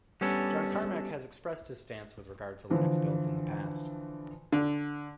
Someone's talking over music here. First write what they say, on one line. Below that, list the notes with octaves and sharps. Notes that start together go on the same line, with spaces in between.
John Carmack has expressed his stance with regard to Linux builds in the past.
G3 B3 C#4 D4 A4 C#5
D3 E3 F3
D3